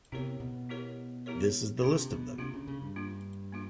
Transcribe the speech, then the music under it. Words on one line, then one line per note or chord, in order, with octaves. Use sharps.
This is the list of them.
C3 B3 E4 G4 A#4 C#5
B2
B3 E4 G4 A#4 C#5
B3 E4 G4 A#4 C#5
C3 A#3 D4 F4
B2
C3 A#3 D4 F4
C#3
C#3
G2
A#3 D4 F4
A#3 D4 F4